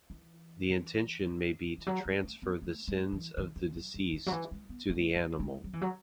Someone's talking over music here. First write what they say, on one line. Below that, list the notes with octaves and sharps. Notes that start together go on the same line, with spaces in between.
The intention may be to transfer the sins of the deceased to the animal.
E3
E3
F#3
G#3
A3
B3
A3
G#3
E3
D#3
D#3
F#3
F#3
D#3
F#3
E3
G#3
B3
A3
G#3
G#3
F#3
E3
F#3